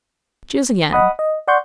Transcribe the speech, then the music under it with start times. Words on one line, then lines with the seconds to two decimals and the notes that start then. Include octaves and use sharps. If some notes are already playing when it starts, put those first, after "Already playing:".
Choose again.'
0.92 D#5 F#5 B5 D#6
1.19 D#5
1.48 D5 F#5 C6 C#6 G6